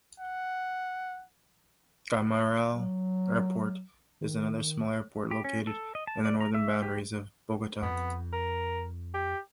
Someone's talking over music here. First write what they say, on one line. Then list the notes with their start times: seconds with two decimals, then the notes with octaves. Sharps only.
Guaymaral Airport is another small airport located in the northern boundaries of Bogota.
0.20 F#5
2.72 F#3
4.21 D#3
5.31 G4
5.44 C#4
5.67 A4
5.95 D#5
6.07 A5
6.25 D5
6.40 A#5
6.54 E5
6.82 G4
7.82 F2 B3
8.33 A#4
9.14 G4